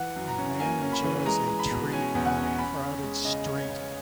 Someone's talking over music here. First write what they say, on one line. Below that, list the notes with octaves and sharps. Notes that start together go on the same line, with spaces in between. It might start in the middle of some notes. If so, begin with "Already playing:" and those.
A man enjoys a treat on a crowded street.
Already playing: E3 F#5
F#2
A#5
C#4
A#3 G#5
C#4
B5
E3
G#3 A#5
G#3
B5
B2
C#4 G#5
E2
F#5
C#4
C#4 B5
C#4
G#3
C#3 D#5
C#4
C#5
C#3